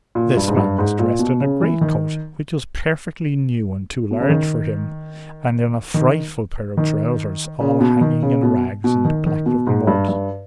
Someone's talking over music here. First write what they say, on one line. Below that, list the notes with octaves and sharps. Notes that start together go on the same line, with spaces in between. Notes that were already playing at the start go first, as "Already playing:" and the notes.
This man was dressed in a great-coat which was perfectly new and too large for him, and in a frightful pair of trousers all hanging in rags and black with mud.
A#2
G2
G#2
G2
G#2
A#2
B2
C#3
E3
D#3
B2
C#3
D#3
D#3
D#3
C#3
B2
D#3
C#3
B2
B2
D#3
D#3
B2
G#2
G2
G2